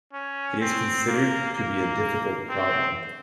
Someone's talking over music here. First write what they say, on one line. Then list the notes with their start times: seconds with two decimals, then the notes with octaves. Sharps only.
It is considered to be a difficult problem.
0.13 C#4
0.60 C4
1.08 A#3
1.56 A#3
2.49 C4